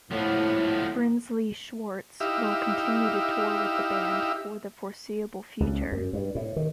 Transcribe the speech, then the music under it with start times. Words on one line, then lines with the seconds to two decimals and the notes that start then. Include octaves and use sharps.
Brinsley Schwarz will continue to tour with the band for the foreseeable future.
0.11 A2 F3 B3
2.20 D#4 E4 G4 E5 F5
5.60 C#2
5.92 F#2
6.13 G2
6.35 A2
6.56 D#3